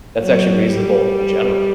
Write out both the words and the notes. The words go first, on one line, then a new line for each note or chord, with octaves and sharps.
That's actually reasonable in general,
F#3
G3